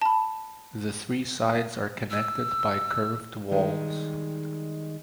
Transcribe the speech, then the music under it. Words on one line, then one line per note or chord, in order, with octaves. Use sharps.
The three sides are connected by curved walls.
A5 B5
E6
D#3 G3 G#3